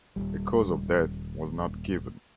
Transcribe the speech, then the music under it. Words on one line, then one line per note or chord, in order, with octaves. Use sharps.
A cause of death was not given.
D#1 C2 G3